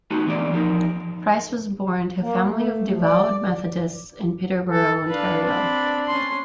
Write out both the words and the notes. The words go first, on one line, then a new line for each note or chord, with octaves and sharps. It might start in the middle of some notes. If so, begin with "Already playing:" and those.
Price was born to a family of devout Methodists in Peterborough, Ontario.
A3 B3 D#4 F#4 G4
E2 D3 A#3 D5
F3 D#4 G4 A#4
A#3
A3
F3
D5
A4
D4 B4 F5
C4 B5
C#4 C6